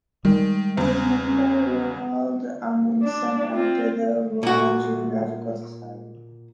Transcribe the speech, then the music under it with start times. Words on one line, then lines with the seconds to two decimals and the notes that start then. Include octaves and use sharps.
It was named by Roald Amundsen after the Royal Geographical Society.
0.25 D#3 G3 G#3
0.77 E2 C#3
3.03 D4
3.53 C4 F4
4.43 A#2 F#4